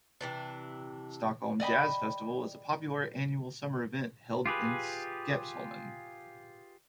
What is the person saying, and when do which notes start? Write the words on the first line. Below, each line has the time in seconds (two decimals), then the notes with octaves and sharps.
Stockholm Jazz Festival is a popular annual summer event held on Skeppsholmen.
0.21 C3 E3 D4
1.60 D5 D#5 G5 B5
4.46 F4 G4 G#4 B4